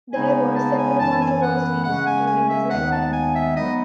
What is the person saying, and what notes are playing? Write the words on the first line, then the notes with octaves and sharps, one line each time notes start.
There were several controversies during his lifetime.
C#3 G#3 B3 D#4 G#5
A5
G#5
F#2 E3 B3 A5
G#5
F#5
C#3 G#3 C#4 F#5
G#5
G#5
E5
D#2 D#3 G#3 B3 D#4 F#5
A5
G#5
E5
F#3 B3 D#4 D#5